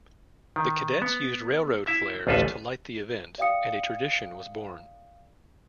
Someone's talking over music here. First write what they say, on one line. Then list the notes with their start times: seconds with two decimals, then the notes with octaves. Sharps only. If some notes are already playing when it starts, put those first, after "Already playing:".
The cadets used railroad flares to light the event, and a tradition was born.
0.56 D#3
1.02 B3
1.87 E4 E5
2.27 A1 D2 F4 A4 B4 G#5
3.38 D5 E5 F5 G5 D#6 C#7